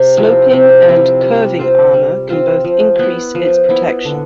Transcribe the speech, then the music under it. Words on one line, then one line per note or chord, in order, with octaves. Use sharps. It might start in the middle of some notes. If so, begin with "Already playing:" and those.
Sloping and curving armour can both increase its protection.
Already playing: C3
F3 C4 E4
C3
F3 C4 E4
G3
C4 F4 C5
G3
C4 F4 C5
F3
B3 E4
F3
B3 E4
D3